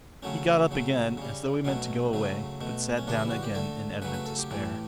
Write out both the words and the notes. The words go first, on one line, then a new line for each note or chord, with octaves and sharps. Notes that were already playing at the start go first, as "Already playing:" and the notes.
He got up again as though he meant to go away, but sat down again in evident despair.
C#3 F#3 A3 C#4
C#3 F#3 A3
C#3 G3
B2 F#3 A3 C#4
C#3 F#3 A3
B2 A3
C#4
C#3 E3 G3 D4
E4
F#4
G4
D3 A3 A4
C#3 F#3 A3 B4
B4
A4
G4
A2 E3 A3